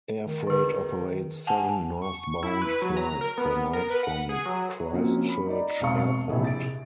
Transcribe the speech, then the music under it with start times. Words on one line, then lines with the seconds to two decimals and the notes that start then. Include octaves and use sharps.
Air Freight operates seven northbound flights per night from Christchurch Airport.
0.26 D#3
0.47 D3 G#4
1.47 F#5 G#5 A5
2.02 C#6
2.43 E4
2.62 B4
2.82 F#3
2.97 A#5
3.21 A#4
3.38 B3
3.73 A#4
3.90 B4
4.03 F#5
4.29 G#4
4.46 F#3
4.93 F3 A#3 C4 C#4 F4 F#4
5.29 B5
5.46 D#4 D5
5.80 E1 C4 F5 A5 C#6
6.29 A#1 C3 E4 G#4
6.44 A6 D7